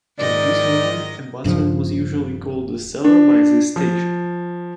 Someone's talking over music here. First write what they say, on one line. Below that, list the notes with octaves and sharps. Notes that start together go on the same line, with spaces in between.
For this reason, a buttery was usually called the cellar by this stage.
G#2 D#3 D5 D#5
D#1 G2 C#3 F3
D4
F3